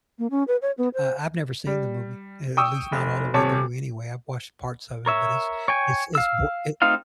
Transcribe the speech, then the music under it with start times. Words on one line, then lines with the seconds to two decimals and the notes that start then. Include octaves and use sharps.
I I've never seen the movie, a at least not all the way through anyway, I've watched parts of it, but it's it's it's bo it
0.19 A#3
0.31 C#4
0.48 B4
0.62 C#5
0.78 B3
0.94 C5
1.67 G3
2.57 G5 C#6 D#6 E6
2.92 F1
3.34 D#1 C3 C#5 A5
5.06 A#4 C#5 E5
5.68 C#5 G5 G#5
6.15 F5 E6
6.82 A3 C4 D#4 F4 F5